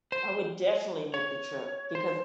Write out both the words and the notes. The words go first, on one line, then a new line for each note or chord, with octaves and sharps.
I would definitely make the trip, because
C5
C#5
C5